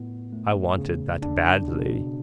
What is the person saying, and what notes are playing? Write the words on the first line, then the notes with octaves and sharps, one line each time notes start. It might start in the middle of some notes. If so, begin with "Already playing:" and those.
I wanted that badly.
Already playing: A2 B3
A3
C#3
D4
B2